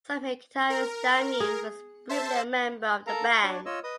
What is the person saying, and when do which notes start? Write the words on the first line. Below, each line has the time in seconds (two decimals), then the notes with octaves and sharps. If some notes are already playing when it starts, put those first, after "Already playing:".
Samhain guitarist Damien was briefly a member of the band.
0.70 A#4
1.40 G#4
2.09 C5 E5 A5
3.07 A4 A#4 F5 A#5
3.31 F5 A#5 C#6
3.43 D4 F#4 C#5 D5
3.66 F4 C#5 D#5 E6
3.84 B4 D#5 D#6